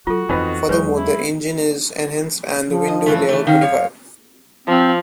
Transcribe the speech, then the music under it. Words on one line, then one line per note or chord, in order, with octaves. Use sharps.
Furthermore the engine is enhanced and the window layout modified.
F#3 F4 F#4 A4
F2 E3 B3 D#4 B4
E2 F#3 G#3 B4 C#5 C#6
E4
F3
D#5
G2 E3 A3
E3 A3
D#3 C#4 F5
F#2 C#5
F3 C4